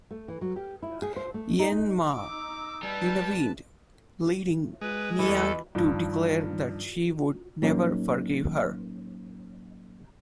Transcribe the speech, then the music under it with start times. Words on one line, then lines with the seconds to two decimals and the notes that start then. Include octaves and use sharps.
Yen Mah intervened, leading Niang to declare that she would never forgive her.
0.11 A3
0.28 E3
0.41 F#3
0.56 G4
0.82 E4
1.02 G#4
1.16 C5
1.34 A3
1.59 D#4
1.72 D#4
2.16 D#4 A#5 D6 E6
2.83 G3 G4 B4 A5
4.81 G#3 B4
5.19 E2 E3 A4 D#5
5.75 G2 D#3 F3
7.62 A2 F#3 A#3 C#4 D#4